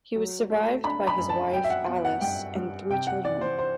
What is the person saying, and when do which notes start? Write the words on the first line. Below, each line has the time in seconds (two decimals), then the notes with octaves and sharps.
He was survived by his wife Alice and three children.
0.16 F#3
0.50 A3
0.84 D4 B5
1.07 B5
1.18 F#2
1.29 A5
1.52 F#3 G5
1.64 E5
1.70 F#5
1.87 B3
2.05 F#5
2.21 G2 G5
2.55 G2
2.89 C3 G5
3.07 F#5
3.25 E3 D5
3.41 C5
3.58 C5